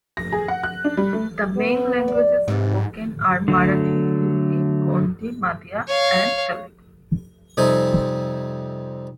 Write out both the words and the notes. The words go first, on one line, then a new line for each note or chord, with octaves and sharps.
The main languages spoken are Marathi, Hindi, Gondi, Madiya and Telugu.
A#6
G#4
F#5
F#6
D4
G3
A3
B3
D5
G#2 C3 E3 B3
D3 F#3 A3
C#5 F5
F2 C3 G3 C4 D#4 G#5